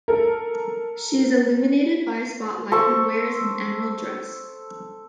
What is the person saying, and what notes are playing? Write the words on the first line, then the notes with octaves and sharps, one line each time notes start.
She is illuminated by a spotlight and wears an emerald dress.
A4 A#4
A4 C5 C#6